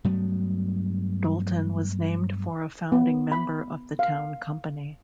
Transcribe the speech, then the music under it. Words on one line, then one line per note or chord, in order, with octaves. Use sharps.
Dolton was named for a founding member of the town company.
G2 F#3 A3 B3
B3
B5
F5